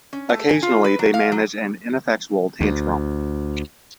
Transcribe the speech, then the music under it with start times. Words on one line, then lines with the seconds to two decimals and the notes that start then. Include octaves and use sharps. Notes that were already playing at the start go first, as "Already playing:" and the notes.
Occasionally they manage an ineffectual tantrum.
0.13 C#4
0.29 A3
0.49 G#5
0.63 F4
0.84 B4
0.99 F#3
1.14 F5
1.32 F#3
2.61 D2